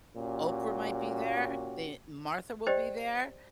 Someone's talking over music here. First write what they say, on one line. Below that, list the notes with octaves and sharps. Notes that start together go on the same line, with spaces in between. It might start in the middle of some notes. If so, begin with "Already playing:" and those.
Oprah might be there, the Martha will be there,
A#2 C#4 F#4 G4
G4 C5 D5 D#5 G5